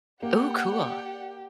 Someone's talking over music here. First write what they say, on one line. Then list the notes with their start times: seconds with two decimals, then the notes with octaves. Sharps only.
Ooh, cool.
0.22 A#3 G4 D5 F#5